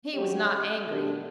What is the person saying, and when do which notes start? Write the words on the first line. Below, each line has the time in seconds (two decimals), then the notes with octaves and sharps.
He was not angry.
0.14 F#3 C#4 G4 C#5
0.86 B2 A3 D4 G4